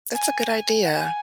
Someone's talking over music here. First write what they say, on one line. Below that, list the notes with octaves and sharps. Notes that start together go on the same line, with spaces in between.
That's a good idea.
G#5
F#5
G#5